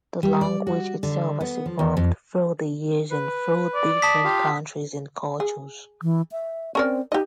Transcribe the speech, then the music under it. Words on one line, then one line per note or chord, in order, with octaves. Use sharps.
The language itself has evolved through the years and through different countries and cultures.
G3
D5
F#4
D3
B3
F3
E2
F2
B4
D5
A5 D#6 B6
F4 G4 F5
G#4
E3
E5
C4 C#4 A#4 D5
D#4 G4 D#5